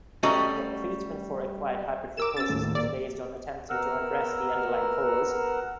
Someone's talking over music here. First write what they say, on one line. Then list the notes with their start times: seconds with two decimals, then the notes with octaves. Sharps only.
The treatment for acquired hypertrichosis is based on attempting to address the underlying cause.
0.23 G3 A3 C#4 F#4 D#5 A#5
2.17 A#4 D6 E6 E7
2.37 C#4 E6 A6
2.49 D#2 A2
2.64 A#3
2.75 A#1 A#3 D5
3.70 B2 A#4 F#5 E6 F6